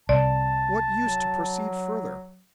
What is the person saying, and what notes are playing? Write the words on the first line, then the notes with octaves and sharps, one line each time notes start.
What use to proceed further?
C2 D5 A5
F#3